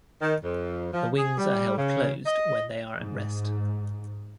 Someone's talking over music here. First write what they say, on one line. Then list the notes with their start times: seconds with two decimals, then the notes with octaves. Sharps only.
The wings are held closed when they are at rest.
0.21 D#3
0.43 F2
0.92 F3
1.17 G#4
1.37 G3
1.77 C#3
2.26 D#5
2.98 G#2